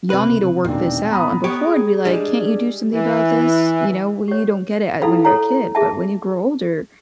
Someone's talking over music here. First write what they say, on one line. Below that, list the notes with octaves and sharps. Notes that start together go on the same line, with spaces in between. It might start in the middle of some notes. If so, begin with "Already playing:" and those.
y'all need to work this out." And before it'd be like, "Can't you do something about this?" You know? Well, you don't get it, uh, when you're a kid, but when you grow older,
C#2 C3 B4
E1 A#2 D#3 C4 D4
B3 A#5 B5 D#6
B3 G4 C#5
G#4
G3 G#3 D4 D5
E3
G4 C#5
D#4 E4 A4 F5 B5
A4 C#5 A#5
G#4 E5 A5